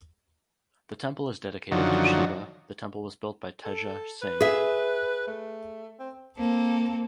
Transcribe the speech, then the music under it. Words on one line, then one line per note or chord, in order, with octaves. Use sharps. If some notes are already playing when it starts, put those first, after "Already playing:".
The temple is dedicated to Shiva The temple was built by Teja Singh.
F#2 D3 D#3 F3 F#3
A4
B4
G#4 E5
A3
C4
A#3 C4 A4